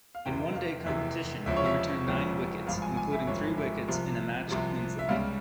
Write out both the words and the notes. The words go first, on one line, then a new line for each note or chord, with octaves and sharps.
In one-day competition, he returned nine wickets, including three wickets in a match Queensland.
F5
F1 E2 C3 E3 G5
F5
F1 E2 C3 E3 E5
E1 E2 C#3 F3 E5
C#5
E5
E1 E2 C#3 F3
G#1 G2 F3 F5
G#5
G#5
E5
G#1 G2 F3 C#5
E5
C2 C3 F3
C2 C3 F3
E5
C#2 C#3 G3 F5